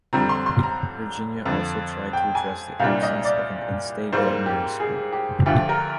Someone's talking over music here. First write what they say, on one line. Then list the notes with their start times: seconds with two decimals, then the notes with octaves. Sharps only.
Virginia also tried to address the absence of an in-state veterinary school.
0.13 F2 D3 G3 C4 A#5
0.29 C6
0.46 C6
0.63 A#5
1.46 F2 D3 F3
2.13 G5
2.35 G#5
2.79 C2 A#2 G3 D4 F5
3.02 D#5
3.24 D5
4.13 G#2 G3 A#3 C5
4.46 G4
4.80 G#4
5.12 G4
5.46 D2 D3 F3 G4
5.69 A#4